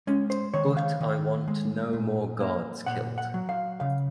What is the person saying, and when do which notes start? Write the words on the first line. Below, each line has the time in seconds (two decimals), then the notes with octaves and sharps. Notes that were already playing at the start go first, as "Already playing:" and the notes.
But I want no more guards killed.
0.07 G#3 C#4
0.30 C5
0.54 D#3 C#5
0.77 F5
1.01 D#3
1.48 G#3
1.93 A#2
2.40 A#3
2.86 A#2 F#5
3.18 F#5
3.34 F#3
3.49 F5
3.80 C#3 F5